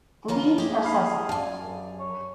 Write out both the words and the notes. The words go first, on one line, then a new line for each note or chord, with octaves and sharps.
The leaves are sessile.
D#3 B3 F4 C#5 A5 A#5
A#3 G4 G#4
B5 F6 C7
F#2 D5 F5 G#5 A5
C#5